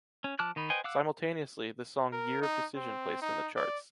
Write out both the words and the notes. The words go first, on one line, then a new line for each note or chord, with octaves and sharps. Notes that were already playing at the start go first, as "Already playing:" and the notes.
Simultaneously, the song “Year of Decision” placed in the charts.
C#4
F3 A5 D6 F6 F#6
D#3 D#4 B5
B4 C5 D#5 G5 G#5
F5 F#5 D6 E6 F#6
A#4
D#4
C4
D#4
D5